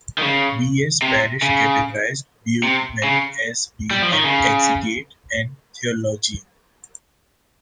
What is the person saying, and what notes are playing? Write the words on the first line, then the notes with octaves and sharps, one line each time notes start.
V. S. Parrish categorized Brueggemann as being an exegete and theologian.
D#3
C#3
C3
C#3
C3
C#3
G3
F3
D#3
C#3